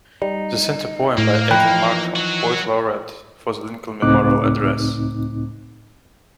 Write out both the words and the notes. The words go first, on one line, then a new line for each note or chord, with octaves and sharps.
The center poem by Edwin Markham, poet Laureate for the Lincoln Memorial address.
G3 D#4
A2 A#3
E3 F3 D#4 G5 B5 F#6
F#3 F#4
C#2 A2 C4 D#4 D6 F#6